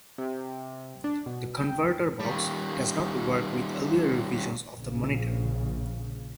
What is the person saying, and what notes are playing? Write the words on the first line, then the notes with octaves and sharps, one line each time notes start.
The converter box does not work with earlier revisions of the monitor.
C3
D4
B2
G5
D#3 G3
A#1 C#3